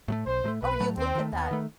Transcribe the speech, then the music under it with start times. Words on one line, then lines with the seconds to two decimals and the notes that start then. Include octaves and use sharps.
or you'd look at that,
0.08 A2 F#3 A3
0.26 B1 C5
0.44 A2 F#3
0.48 A3
0.62 B1 B4
0.80 A2 F#3 A3
0.97 D#2 C4
1.15 D#3 A3
1.33 D#2 B3
1.51 D#3 A3